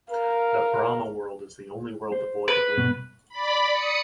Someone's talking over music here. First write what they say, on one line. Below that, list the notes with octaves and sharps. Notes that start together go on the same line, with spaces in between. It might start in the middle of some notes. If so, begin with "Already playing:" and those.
The Brahma world is the only world devoid of women.
A#4 F5
C5
B4
G2 B2 B3
D5 B5
D#6 C#7